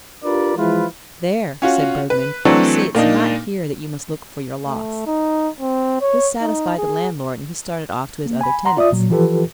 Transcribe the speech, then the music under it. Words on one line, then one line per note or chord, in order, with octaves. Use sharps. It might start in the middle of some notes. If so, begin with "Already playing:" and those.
'There,' said Bergmann, 'you see it's not here that you must look for your loss.' This satisfied the landlord, and he started off to his other tenants.
D4 F4 G4 A#4 B4 D5
E3 F3 G#3 E4 F4 B4
C#4 F4 F#4
B4
E3 F#3 A3 C4 D4
A#2 A#3 D4 D#4
A3
D#4
C4
C#5
D#4
G#4
A#3
G#5 B5
F#5 A#5 C6
F4 D5 E5 D#6
A#2 F#3
E3 F3 F4 G4 A4 B4